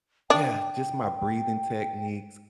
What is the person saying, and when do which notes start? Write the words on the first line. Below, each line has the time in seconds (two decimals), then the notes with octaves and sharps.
yeah, just my breathing techniques,
0.30 D4 G5